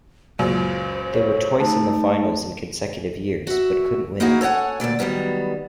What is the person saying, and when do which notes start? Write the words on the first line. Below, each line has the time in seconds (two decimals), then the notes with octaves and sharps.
They were twice in the finals in consecutive years, but couldn't win it.
0.39 C#2 F#2 A#2 C5
1.15 C#5
1.60 A3 D#4 A5
3.47 F#4 E5
4.20 A#3 D#4 E4 F#4 G#4 A#4
4.41 A4 C#5 D5 F#5 G#5
4.80 D2 G2 A#2 D5
4.99 D#3 E3 F#3 G3 B3